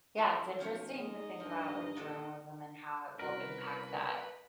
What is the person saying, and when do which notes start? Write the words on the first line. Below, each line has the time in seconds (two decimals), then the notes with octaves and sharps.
yeah, it's interesting to think about, like, journalism and how it will impact that
0.17 F2 A3 E4
0.59 B1 F3 C#4 C#5
0.99 G#3 D#4 D#5
1.40 G2 F3
1.97 A#2 D4 A4
3.19 C2 C#4 F#4 A#4 B4